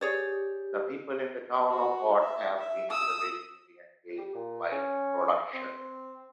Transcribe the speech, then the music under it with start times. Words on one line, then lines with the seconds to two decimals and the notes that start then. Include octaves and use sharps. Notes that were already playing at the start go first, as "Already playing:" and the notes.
The people in the town of Bot have been traditionally engaged in wine production.
0.01 G4 G#4 C#5 D5
1.70 F#4
2.20 E5
2.59 E5
2.90 D#6 E6
4.18 G4
4.35 A#2
4.72 C#4
5.54 C4